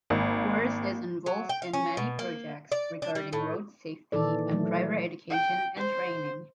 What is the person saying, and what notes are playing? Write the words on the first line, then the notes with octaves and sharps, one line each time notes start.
Wurz is involved in many projects regarding road safety and driver education and training.
G#1 A#3
F#3
G5
F5
C#4
B2
A#3
D5
D4
G3
A2
A#2 D#3 E3 A4 D5
E3 F#3 A3
G5
C5